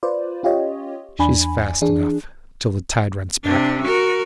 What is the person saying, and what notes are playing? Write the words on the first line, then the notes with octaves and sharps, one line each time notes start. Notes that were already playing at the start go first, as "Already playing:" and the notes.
'She's fast enough till the tide runs back.
F4 B4 C5 D5
C#4 F4 G4 C#5 D#5
E2 D4 G#5 B5
E3 D4 G#4
C3 D4
F#4 A#4